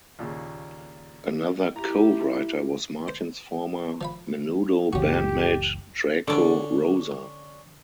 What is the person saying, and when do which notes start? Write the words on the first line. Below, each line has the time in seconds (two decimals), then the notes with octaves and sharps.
Another co-writer was Martin's former Menudo bandmate Draco Rosa.
0.19 D#2 A#2 C#3
1.76 E4 G4 A#5
3.08 C5
4.01 F3 F5 B5
4.93 F#1 C#2 E3 C#4 F#4 G4
6.28 D3 C#4 D4 D5